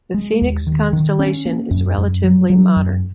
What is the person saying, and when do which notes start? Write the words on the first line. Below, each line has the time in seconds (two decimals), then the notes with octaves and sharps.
The Phoenix constellation is relatively modern.
0.14 G#3
0.41 D#2
0.67 D#3
0.93 D#3
1.19 C#4
1.45 A#3
1.71 F#2
1.98 F#2
2.24 F#3
2.50 F#3
2.76 F#2